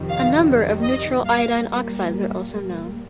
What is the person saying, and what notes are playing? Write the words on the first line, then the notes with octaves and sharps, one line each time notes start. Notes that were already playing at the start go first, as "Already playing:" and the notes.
A number of neutral iodine oxides are also known.
Already playing: F2 C3 D#3 G3
F5
D#5
A#2 G3 A#3 F5